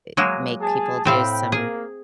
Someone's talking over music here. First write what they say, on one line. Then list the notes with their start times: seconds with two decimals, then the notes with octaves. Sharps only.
i make people do some
0.17 F#3 G#3 A#3
0.61 G#4 A5
1.05 A2 C4 F5 G5 B5
1.52 A#3 G#4